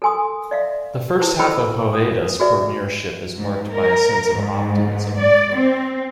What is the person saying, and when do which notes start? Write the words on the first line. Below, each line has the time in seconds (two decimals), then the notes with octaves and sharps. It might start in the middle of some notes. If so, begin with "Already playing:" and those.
The first half of Hoveyda's premiership is marked by a sense of optimism.
0.02 A4 A#4 G#5 C6 D#6
0.51 D5 E5 F5
1.19 E4 G#4 B4 C5
1.39 A4 A#4 C5 G5 B5 E6
1.93 D#6
2.40 F#4 G#4 B4 D5 E5
3.37 G#2
3.75 A#4
4.35 G#2
5.21 D5
5.56 C4